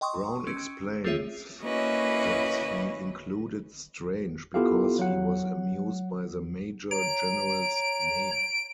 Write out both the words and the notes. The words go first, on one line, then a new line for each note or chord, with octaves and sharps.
Brown explains that he included Strange because he was amused by the Major-General's name.
D#5 G5 C6 C#6 D#6
C#4 E6 D7
A3 C4 F4 G#4 C#5 E5
A#3 C#4 E4 F#4 B4 D#5
B3 E4 F4 G4 A4 F5
F#3 F#5
C#5 A#5 D7